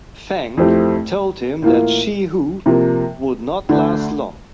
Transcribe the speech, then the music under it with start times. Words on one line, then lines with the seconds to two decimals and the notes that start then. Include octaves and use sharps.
Feng told him that Shi Hu would not last long.
0.57 F2 E3 A3 C4 G4
1.62 A2 E3 A#3 F4
2.66 C3 F3 A#3
3.69 D2 D3 A3 D4